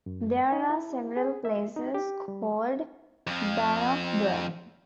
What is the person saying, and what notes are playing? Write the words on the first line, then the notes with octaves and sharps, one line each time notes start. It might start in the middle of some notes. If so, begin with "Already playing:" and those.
There are several places called Bannockburn.
F#2
D#4
E4
G#4
E5
D#4
G4
G3
F2 F3